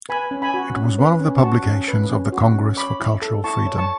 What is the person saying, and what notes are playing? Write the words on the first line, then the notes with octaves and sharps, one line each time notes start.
It was one of the publications of the Congress for Cultural Freedom.
B4 G#5 B5
C#4
G#5 B5
F#4
C#4
B4
C#4
F#4 A5 C#6
C#4
B4
C#4
F#4
C#4
C#5 B5 D6
E4
A4
E4 A5 C#6
C#5
A5 C#6